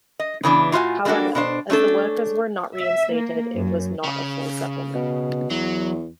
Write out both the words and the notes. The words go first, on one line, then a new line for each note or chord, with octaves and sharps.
However, as the workers were not reinstated, it was not a full settlement.
D#5
C#3 E3 B3 D4
A2 F4 F#4 D#5 G#5
G3 A3 A#3 D4 F#4 A4
B2 D4 C5
A3 C#4 D4 A4
E5
A#3
F#2
C#3
B2
E2 F#3